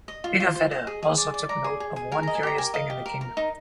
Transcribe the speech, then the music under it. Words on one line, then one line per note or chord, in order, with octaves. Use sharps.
Pigafetta also took note of one curious thing in the kingdom.
D#5
F4
F4
C5
D#5
G#4
G#4
D5
D5
D5 A#5
G#4
G#4
G#4
A#4 G#5
D#5 A#5
G#5
G4 A#5
A#4 G#5
D#5 F5
G4
A#4
A#4
D#4